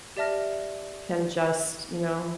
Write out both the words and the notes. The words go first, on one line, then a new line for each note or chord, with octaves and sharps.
can just, you know,
G4 D5 E5 A5 F6 A#6